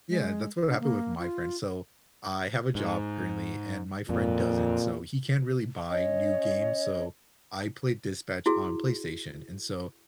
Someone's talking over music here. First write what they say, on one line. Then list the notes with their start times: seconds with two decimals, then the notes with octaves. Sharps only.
Yeah, that's what happened with my friend. So, I have a job currently, and my friend doesn't, so he can't really buy new games, so I played Dispatch on PlayStation, and so,
0.09 G#3
0.68 D4
0.80 A#3
1.19 F4
2.75 G#2
4.09 F2 A#2
5.90 C#4 C#5 D#5
8.46 E4 F#4 G#4